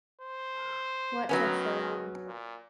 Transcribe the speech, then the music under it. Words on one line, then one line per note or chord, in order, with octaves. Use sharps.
What took so long?
C5
D#3 F#3 B3 C#4
A#2